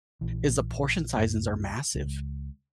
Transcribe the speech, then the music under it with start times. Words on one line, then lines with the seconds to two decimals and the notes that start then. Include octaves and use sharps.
is the portion sizes are massive,
0.21 A#1 E3
1.17 C2 F#2 A#3
1.95 C#2